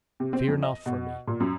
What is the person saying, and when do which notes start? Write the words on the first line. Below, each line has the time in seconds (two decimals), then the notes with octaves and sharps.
Fear not for me.
0.20 C3
0.33 C4
0.48 F2
0.63 D#5
0.86 B2
1.27 A#2
1.40 F#2